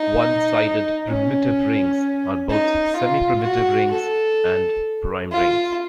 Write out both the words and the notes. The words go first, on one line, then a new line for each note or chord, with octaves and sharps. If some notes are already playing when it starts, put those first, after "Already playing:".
One sided primitive rings are both semiprimitive rings and prime rings.
Already playing: D#4
C#4
D#4
F4
F#4
A4
F4